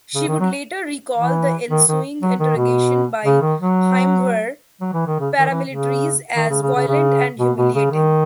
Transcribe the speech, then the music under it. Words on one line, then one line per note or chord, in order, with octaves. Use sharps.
She would later recall the ensuing interrogation by "Heimwehr" paramilitaries as "violent and humiliating".
C#3
D#3
F#3
E3
D#3
D#3
F#3
D#3
B2
C#3
D#3
F#3
F#3
E3
D#3
C#3
D#3
E3
C#3
D#3
C#3
C#3
C#3
C#3
B2
B2
C#3
D#3